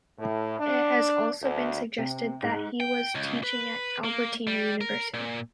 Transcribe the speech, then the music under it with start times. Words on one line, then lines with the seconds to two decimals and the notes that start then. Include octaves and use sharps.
It has also been suggested that he was teaching at Albertina University.
0.19 A2
0.59 D4
1.42 D2
1.98 C3
2.43 G#2
2.80 G5
3.15 C#2
3.44 B4
4.05 A#3
4.47 G3
4.81 A#4
5.14 A#2